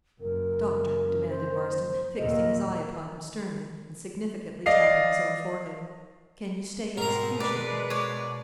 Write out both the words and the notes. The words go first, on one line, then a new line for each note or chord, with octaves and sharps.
"Doctor," demanded Marston, fixing his eye upon him sternly, and significantly tapping his own forehead, "can you stay execution?"
F#1 F#2 A#4
C5
D#2 A#2 D#5
D5 D#5 F5 C7
G#2 B2 C4 A#4 A#5
G#3 B4 D5
C#5 D5